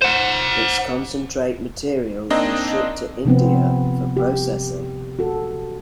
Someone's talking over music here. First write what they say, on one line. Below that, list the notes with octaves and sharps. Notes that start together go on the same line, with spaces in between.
Its concentrate material is shipped to India for processing.
C5 F#5
A#3 C4 D4 D#4 D#5
C3 F3 B3 C4
G4
F#4 A4